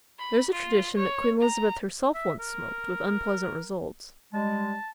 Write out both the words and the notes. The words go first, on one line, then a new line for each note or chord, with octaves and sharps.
There is a tradition that Queen Elizabeth herself once smoked--with unpleasant results.
B5
F4
C#5
A#5
E5
A#4
G3 G#3 A5